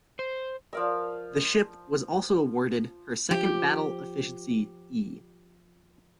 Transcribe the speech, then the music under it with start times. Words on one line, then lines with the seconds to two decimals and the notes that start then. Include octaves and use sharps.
The ship was also awarded her second Battle Efficiency "E".
0.19 C5
0.73 F3 A#4 D5 F5 E6
3.31 F3 G4